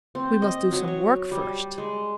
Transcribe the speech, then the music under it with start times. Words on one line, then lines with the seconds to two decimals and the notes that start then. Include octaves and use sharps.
"We must do some work first."
0.15 C4
0.42 D#5
0.72 F#3
0.88 C#5
1.31 G3
1.78 G#3